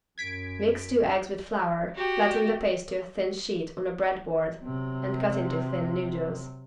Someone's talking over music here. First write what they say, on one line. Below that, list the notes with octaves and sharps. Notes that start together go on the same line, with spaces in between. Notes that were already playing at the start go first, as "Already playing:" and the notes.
Mix two eggs with flour, flatten the paste to a thin sheet on a bread board and cut into thin noodles.
F#2 G#6 B6 D7
F#4 G4
C3 F#3